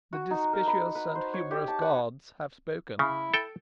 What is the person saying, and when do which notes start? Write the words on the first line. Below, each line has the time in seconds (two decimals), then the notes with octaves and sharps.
The dispiteous and humorous gods have spoken.
0.13 F#4
0.31 D#4
0.53 A#4
0.67 B5
0.95 B4
1.15 C5
1.34 C#5
1.51 G4
1.68 A5
1.81 F#5
2.99 C#3 E4
3.34 A4 G5